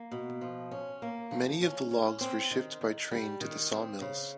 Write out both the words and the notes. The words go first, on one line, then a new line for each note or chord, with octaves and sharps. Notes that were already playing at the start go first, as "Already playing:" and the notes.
Many of the logs were shipped by train to the sawmills.
Already playing: A#3
B2
F3
C#4
A#3
F3
C#4
C#4
C4
D#3
D#3
G3
D#3
C4
C#3